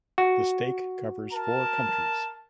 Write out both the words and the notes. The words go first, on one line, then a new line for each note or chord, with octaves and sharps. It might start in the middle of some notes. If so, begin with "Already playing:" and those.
The stake covers four countries.
F#4
A#4 A5